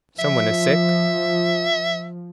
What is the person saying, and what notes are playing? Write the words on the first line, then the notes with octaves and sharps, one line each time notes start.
"Someone is sick?"
F3 E5